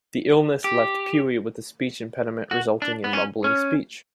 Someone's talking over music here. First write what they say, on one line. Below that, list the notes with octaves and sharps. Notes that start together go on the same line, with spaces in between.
The illness left Puey with a speech impediment resulting in mumbling speech.
G4
F#4
D4
B3
C#4
C#4